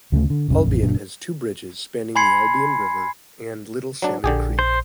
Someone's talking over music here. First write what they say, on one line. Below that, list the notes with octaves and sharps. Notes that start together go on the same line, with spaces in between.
Albion has two bridges, spanning the Albion River and Little Salmon Creek.
D2 C#3 E3 A3
D3
F#1 C2 G2 C#3
A1 F2
F#1 A#2 F#3 D4
G#5 B5 C6 G#6 C7 C#7
F#3 D4
A#1 D3 G4 G#4
C5